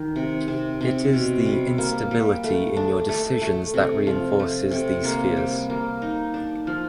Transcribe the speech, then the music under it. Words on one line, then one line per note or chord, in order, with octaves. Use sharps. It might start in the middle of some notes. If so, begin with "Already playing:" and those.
It is the instability in your decisions that reinforces theses fears.
Already playing: D#3
C3
C3
C3
B2
G3
A#3
G3
A3
D4
A3
A3
C3
F3
A3
C3
A#3
G3
A#3
D#4
D4
F3